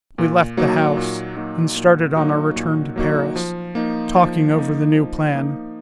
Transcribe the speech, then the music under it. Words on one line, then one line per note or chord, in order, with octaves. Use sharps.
We left the house, and started on our return to Paris, talking over the new plan.
A#2
F#3 A#3 D#4 F#4
A#2
F#3 A#3 D#4 F#4
A#2
F#3 A#3 D#4 F#4
A#2
F#3 A#3 D#4 F#4
F3
A#3 D#4
F3
A#3 D#4
F3
A#3 D#4